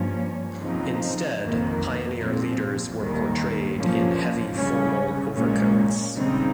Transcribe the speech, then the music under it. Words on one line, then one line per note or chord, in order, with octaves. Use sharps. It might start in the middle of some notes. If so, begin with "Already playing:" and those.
Instead, pioneer leaders were portrayed in heavy formal overcoats.
Already playing: G2 F3 A#3 C#4
C#3 F3 C4 D#4
F2 D#3 A#3
A#2 F3 C4
D#2 D#3 G3
A#2 F3 A#3 C#4
C#3 G3 C#4
A#2 G#3 C#4
C#3 G3 C4 D#4